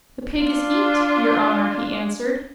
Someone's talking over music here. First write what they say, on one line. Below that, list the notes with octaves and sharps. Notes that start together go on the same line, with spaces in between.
"The pig is eat, your honor," he answered.
D4 F4